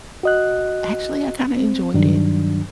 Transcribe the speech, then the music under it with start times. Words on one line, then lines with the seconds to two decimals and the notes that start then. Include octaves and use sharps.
actually, I kinda enjoyed it,
0.23 F#4 D#5 F#6
1.57 C4
1.94 G2 D#3 F#3 D4